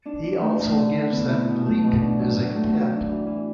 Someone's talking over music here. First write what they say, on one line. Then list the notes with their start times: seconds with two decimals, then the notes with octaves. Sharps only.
He also gives them Gleek as a pet.
0.06 D4
0.24 D4
0.41 A3
0.59 A3
0.77 D3
0.95 E4
1.12 B3
1.30 E4
1.48 B2
1.66 A3
1.84 B2
2.02 D4
2.20 F#3
2.38 A2
2.56 A3
2.73 F#3
2.91 D4
3.09 E3
3.27 E3